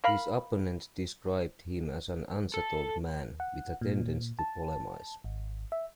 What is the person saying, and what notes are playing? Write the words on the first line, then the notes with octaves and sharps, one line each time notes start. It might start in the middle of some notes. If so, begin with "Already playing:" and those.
His opponents described him as an unsettled man with a tendency to polemise.
A#4 F5 B5
A4
F#5
A#2
A5
G#1
E5